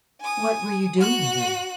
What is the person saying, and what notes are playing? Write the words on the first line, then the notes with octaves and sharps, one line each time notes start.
"What were you doing, then?"
G#5 D#6
F#4 F#6